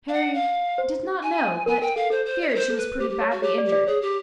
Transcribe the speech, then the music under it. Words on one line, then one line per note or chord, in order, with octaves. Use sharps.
Harry "did not know, but feared she was pretty badly injured."
F5
F#5
F5
C5
G#5
A#4 G#5
A#4 G5
A4 F5
A4 C5
C5
D5
C#5
A#4 C5
A4
B4
G4 C5
G4
C#5
F#4
G4 C#5
D5
G4
D5
G#4 C#5
G4